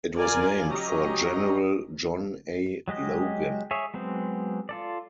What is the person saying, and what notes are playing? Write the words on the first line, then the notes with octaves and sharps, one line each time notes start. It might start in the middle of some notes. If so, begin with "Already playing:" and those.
It was named for General John A. Logan.
F4 A#4 D5 G#5
F#3 C#4 G4 D#5 A#5
F#3 G#3 G4 D#5
G#4 C#5 E5
F#3 G#3 B3 C4
F4 A4 D5